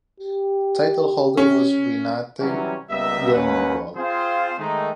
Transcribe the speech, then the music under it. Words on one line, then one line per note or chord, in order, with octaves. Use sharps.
Title holder was Renate Groenewold.
G4
C#4
C3 E3 F#3 G3 C#4
C#2 G3 A#3 B3 D#5 E5
D#2 C#4 B4 F#5
C4 F4 G#4 C5
D#3 G#3 A3 D#4